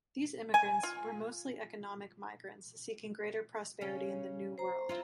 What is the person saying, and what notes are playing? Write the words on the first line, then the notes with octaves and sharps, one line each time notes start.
These immigrants were mostly economic migrants seeking greater prosperity in the New World.
G#5
F4
C#3 C#4
C5 A#5
C4 E4 F4